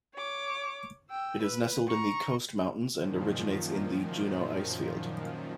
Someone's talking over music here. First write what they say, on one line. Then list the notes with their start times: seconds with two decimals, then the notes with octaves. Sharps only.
It is nestled in the Coast Mountains and originates in the Juneau Icefield.
0.14 C#5 D6
1.10 G5 E6
1.42 B4
1.88 A#5 C#6
3.01 F#2 A#2 D#3 F3